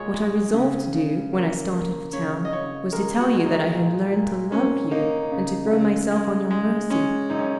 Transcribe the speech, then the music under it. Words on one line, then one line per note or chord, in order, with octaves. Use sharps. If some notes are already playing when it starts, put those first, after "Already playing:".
What I resolved to do, when I started for town, was to tell you that I had learned to love you and to throw myself on your mercy.
Already playing: A#2 G#3 C#5
G#3
C#3
C#3
A#3
A#3
C#3 C#5
D#5
C#3 C#5
G#3 A#4
F#4
G#3
D#4
A#2
A#2
A#3 C#4
A#3 D#4
C#3
C#3
G#3
G#3
G#3 C#4
F#2 D#4
C#4